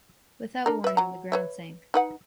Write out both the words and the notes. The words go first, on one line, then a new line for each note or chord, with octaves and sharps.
Without warning, the ground sank.
D4 A#4
B4 E5
F#3 A#5
B4 C#5 E5
D#4 B4 F#5